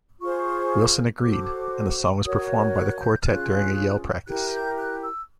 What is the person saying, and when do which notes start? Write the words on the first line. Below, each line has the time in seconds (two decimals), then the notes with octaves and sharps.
Wilson agreed, and the song was performed by the quartet during a yell practice.
0.20 F4 G#4 C5 C#6
1.22 F#4 A4 C5 D6
2.24 F#4 A#4 C#5 D#6
2.75 F#6
3.00 G6
3.21 F6
3.25 C#4 F4 G#4 F#6
4.27 E4 G4 A#4 F#6
4.53 G6
4.78 F#6
5.03 E6